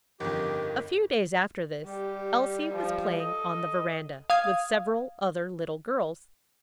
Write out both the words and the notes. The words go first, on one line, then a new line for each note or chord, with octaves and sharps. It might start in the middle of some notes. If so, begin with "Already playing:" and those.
A few days after this, Elsie was playing on the veranda, with several other little girls.
G1 F2 D#3 G4
G3 G4
F3
A4 D#5
F5 D#6 G#6